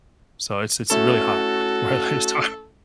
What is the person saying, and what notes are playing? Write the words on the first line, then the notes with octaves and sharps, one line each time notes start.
so, it's it's really hot where I live, so
A3 C#4 E4 F#4 A4